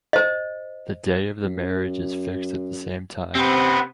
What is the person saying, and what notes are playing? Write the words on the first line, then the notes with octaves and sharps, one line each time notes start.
The day of the marriage is fixed at the same time.
C5 D#5
F#2
C3 B3 C4